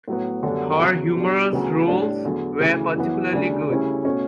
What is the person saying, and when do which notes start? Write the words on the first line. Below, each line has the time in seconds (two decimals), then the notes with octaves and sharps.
Her humorous roles were particularly good.
0.08 A2 F#3 B3
0.43 F#2 D3 G3 B3 D4
0.79 E2 C#3 F#3
1.15 B2 G3 D4
1.53 D2 C#3 F#3 B3
1.88 A2 G3 D4
2.25 E2 D3 F#3
2.60 D2 C#3 E3
2.96 F#2 E3 B3
3.33 D2 C#3 G3 D4
3.69 D2 C#3 G3 C#4 E4
4.05 B2 A3 C#4